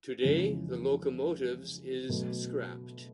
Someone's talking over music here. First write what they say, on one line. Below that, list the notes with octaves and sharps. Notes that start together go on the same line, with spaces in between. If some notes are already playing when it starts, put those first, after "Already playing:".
Today the locomotives is scrapped.
F2 C#3 E3 G#3 C#4
B2 F#3 A3